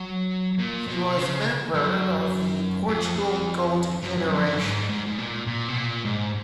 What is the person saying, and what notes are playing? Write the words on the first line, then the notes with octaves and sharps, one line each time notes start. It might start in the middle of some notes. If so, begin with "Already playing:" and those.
He was a member of the "Portugal Golden Generation".
Already playing: F#3
A#2
B2
C#3
F#2
F2
F2
F#2
F#2
F2
F#2
G#2
G#2
G#2
A#2
A#2
B2
A#2
G#2